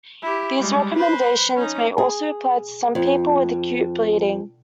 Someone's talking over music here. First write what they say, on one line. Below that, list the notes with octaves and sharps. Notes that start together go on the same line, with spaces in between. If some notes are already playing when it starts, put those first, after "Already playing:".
These recommendations may also apply to some people with acute bleeding.
E4 G4
G3 G#3
B4 C5
C#4 D#4
G#4
F2